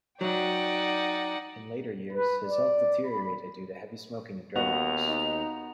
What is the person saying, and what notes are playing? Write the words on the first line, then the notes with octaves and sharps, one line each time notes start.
In later years, his health deteriorated due to heavy smoking and drug abuse.
F#3 D#4 D5 F#5 G5
B4
D5
B5
D#2 B3 F#4 F#5 F7
D#4